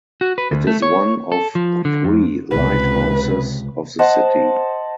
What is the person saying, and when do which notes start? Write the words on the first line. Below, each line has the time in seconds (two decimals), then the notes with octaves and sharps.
It is one of three lighthouses of the city.
0.21 F#4
0.38 B4
0.51 D2
0.67 A3
0.82 C#5
1.32 A4
1.55 F3
1.85 D3
2.04 F2
2.51 C#2 C3 B4
3.99 C5 D#5 F#5 A5